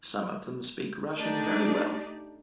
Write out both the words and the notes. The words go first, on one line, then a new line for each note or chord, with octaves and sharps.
Some of them speak Russian very well.
A3 D4 D#4 G4 D5